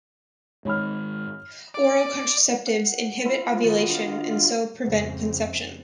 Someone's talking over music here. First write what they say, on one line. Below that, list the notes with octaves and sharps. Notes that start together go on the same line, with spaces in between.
Oral contraceptives inhibit ovulation and so prevent conception.
G#2 D#3 C#5 B5 F6
D5
F#5
E4 F4 C5
D#3 B3 F#4 A6
D4 G4 D#5
F2 G#2 C#3 C4